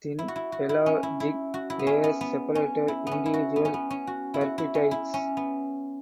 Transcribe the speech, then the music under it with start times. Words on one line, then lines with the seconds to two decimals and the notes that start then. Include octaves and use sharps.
Thin pelagic layers separated individual turbidites.
0.19 E4
0.28 F#4
0.36 E4
0.52 F#4
0.69 E4
0.86 C#4
1.03 E4
1.20 E4
1.54 F#4
1.70 E4
1.79 B3
1.87 C#4
2.04 B3
2.21 B3
2.55 C#4
2.88 E4
3.07 B3 C#4
3.26 E4
3.34 F#4
3.56 B3
3.65 C#4
3.74 B3
3.90 C#4
4.07 F#4
4.34 E4
4.41 F#4
4.58 E4
4.75 C#4
4.91 E4
5.14 C#4
5.37 B3